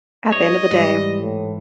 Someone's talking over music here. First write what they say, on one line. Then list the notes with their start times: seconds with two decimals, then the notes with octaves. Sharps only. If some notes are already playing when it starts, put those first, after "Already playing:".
At the end of the day.
0.32 G2 C#5 D#5
0.71 G#2 E3 G3
1.21 A2